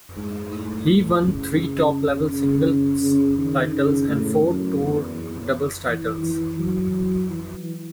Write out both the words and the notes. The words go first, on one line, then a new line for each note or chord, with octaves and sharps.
He won three top-level singles titles and four tour doubles titles.
G#2
A2
C#3
C#3
C#3
D#3
C#3
A2
F#2
E2
E2
E3
E3
F#3
E3